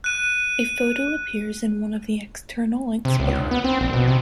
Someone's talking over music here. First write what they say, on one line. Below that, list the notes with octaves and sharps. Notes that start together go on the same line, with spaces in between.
A photo appears in one of the external links below.
F#6 D#7
C3
C#2
B3
C4
A#1
B2
C3